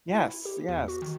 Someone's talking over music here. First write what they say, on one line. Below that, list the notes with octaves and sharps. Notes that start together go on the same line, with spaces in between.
Yes, yes.
E4
G4
E2
F#4
D#3